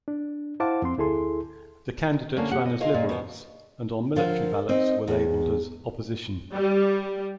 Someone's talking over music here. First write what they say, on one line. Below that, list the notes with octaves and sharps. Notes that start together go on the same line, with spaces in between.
The candidates ran as Liberals, and on military ballots, were labelled as Opposition.
D4
E4 C5 F5 F#5 A5 D6
F2 C4 C6
D2 E4 G#4 A4 C6
D3 A#3 C#4
G4 F#5
D#5
G#3 A#3 F4
A#2
D#2 B2 F3 B3
D3 F3 F4 A#4
C4 D#4 D#5
E2 G#4
G3